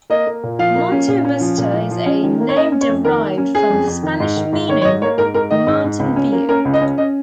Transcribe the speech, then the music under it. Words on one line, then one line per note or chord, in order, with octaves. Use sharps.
Monte Vista is a name derived from Spanish meaning "mountain view".
A#3 D#5
A#3
A#2
F3 F5
A#3
C#4
A#2
C#4
F3
A#2
F3
F3
C#4
D#3
A#3
C#5
C#4 D#5
C#4
C#5
F2
D#3 A#4
A#3
C#4
C#4 G#4
F2
F2
D#3
G#2
D#3
G#2
D#3 C#5
C#5
G#2 D#5
A#3 C#5
G#2 A#4
G#2 A#4
D#3 D#5
G#2
G#2
C#2
C#4
A#3
C#4 A#4
C#2
D#5
C#4
C#4 D#5